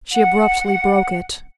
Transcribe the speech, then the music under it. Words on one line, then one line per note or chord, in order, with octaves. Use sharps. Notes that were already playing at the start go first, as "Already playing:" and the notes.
She abruptly broke it.
F#5